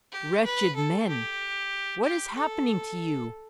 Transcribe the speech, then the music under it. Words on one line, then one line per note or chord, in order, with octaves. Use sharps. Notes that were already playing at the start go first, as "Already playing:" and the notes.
'Wretched men! what is happening to you?
G4
B4
A4
G4
G4
A4